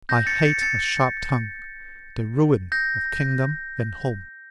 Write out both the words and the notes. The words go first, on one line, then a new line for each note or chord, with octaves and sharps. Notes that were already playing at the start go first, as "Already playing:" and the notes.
I hate a sharp tongue, the ruin of kingdom and home.
G6 A#6
A6 C#7
A6 C#7
A6 C#7
G6 A#6